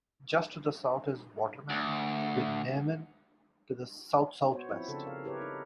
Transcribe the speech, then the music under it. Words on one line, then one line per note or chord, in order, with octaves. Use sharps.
Just to the south is Waterman, with Neujmin to the south-southwest.
D2
B3 F#4 C5 C#5
F3 C4 E4
C#3 D4 A4
A#4 F5
E4 G4 A#4 B4 C#5
D#4